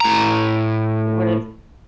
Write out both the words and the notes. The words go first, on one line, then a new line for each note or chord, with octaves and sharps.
It would've
A2 A#5